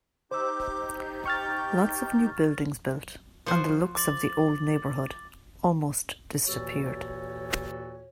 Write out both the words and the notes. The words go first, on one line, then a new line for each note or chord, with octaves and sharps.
Lots of new buildings built and the looks of the old neighbourhood almost disappeared.
D#4 G4 C5 D6 E6 G6
G5 C#6 F6 A6
F3 F#4 C5
D6 A6 F#7
D#2 A#2 E3 F#4 A4 C#5